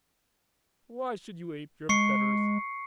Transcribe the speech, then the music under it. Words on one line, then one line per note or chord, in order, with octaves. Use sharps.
Why should you ape your betters?
G#3 C#6 C7 C#7